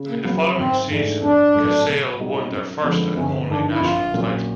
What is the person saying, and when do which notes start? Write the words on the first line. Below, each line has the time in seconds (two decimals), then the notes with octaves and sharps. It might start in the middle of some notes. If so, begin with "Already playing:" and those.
In the following season Casale won their first and only national title.
Already playing: C#3
0.09 A#3
0.25 F#3 A#3 B3
0.41 B3
0.57 G#1 C4
0.90 G#2 E3 A3 D4
1.22 A#1 D4
1.54 A2 F#3 A3
1.87 B2
2.19 G3 B3 D#4 F#4
2.51 F#2
2.83 D3 F3 G#3 B3
3.17 G1 C#4
3.48 G2 D#3 D4
3.72 E4
3.80 A#1 F4
4.13 A#2 F#3 A#3 C#4